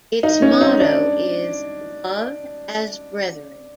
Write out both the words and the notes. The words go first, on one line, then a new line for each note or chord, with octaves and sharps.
Its motto is "Love as Brethren".
D#4
C#4
D#4
D4